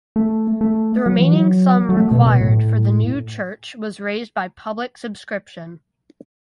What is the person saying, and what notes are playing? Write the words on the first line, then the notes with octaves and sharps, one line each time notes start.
The remaining sum required for the new church was raised by public subscription.
A3
A3
F#3
E3
F#3
F#3
A3
B2
B2
A2